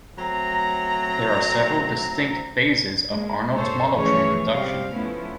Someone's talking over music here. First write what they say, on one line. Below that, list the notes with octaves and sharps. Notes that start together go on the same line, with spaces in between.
There are several distinct phases of Arnold's model train production.
F#3 A3 C4 A#5
G#3 A#3
G2 A#2 G#3 A4 C5 C#5
E3 F3 A3 C#4 G#4 C#5
A2 C3 G3 C4 G4 F5
F3 A3 B3 C#4 E4